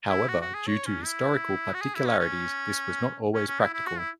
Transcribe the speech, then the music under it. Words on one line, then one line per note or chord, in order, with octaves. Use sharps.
However, due to historical particularities, this was not always practical.
E4
F#4
F#4
G#4
C#5
C#4
E4
F#4
G#4
E4
C#4
C#4
C#4
C#4
E4
E4
F#4
E4